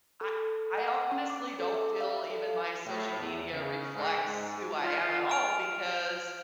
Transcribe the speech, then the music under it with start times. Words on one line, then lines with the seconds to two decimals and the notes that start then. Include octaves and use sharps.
I I honestly don't feel even my social media reflects who I am at all because
0.21 A4
0.78 F#5
1.12 C#4
1.30 D6
1.59 A4
1.74 E5
2.00 F5
2.30 A4
2.85 A2
3.18 E2
3.51 C#3
3.95 G#2
4.24 G#2
4.83 F4
5.30 F6 D7 F7